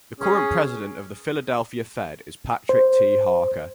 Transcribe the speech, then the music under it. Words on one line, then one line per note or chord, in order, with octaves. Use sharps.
The current President of the Philadelphia Fed is Patrick T. Harker.
C#4 G#4
C5